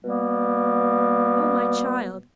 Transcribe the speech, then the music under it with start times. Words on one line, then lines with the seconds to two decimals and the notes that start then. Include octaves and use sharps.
Oh, my child!
0.03 B2 G3 A#3 B3